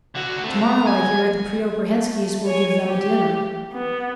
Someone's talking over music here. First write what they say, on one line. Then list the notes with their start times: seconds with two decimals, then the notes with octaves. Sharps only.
"Tomorrow, I hear, the Preobrazhenskis will give them a dinner."
0.15 D3 F#4
0.44 A3 C4
0.63 A#5
0.86 G#5
1.85 A3
2.45 C#5 G#5
2.86 G4
3.73 B3